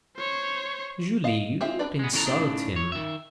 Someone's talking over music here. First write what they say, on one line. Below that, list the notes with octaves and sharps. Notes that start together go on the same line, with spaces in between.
"Julie--you need not insult him."
C5 C#5
D#5 F5
C4 F4 G#4 D#5 E5
D4 B4 D5
G#3 B3
E2 C#3 E3 E4 A4 A#5
A2 C#3 G#3 A3 D4 D#4
C#5
D#3 E5